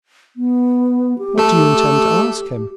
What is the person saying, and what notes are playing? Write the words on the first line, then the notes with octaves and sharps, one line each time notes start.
"What do you intend to ask him?"
B3
G4
A3 A4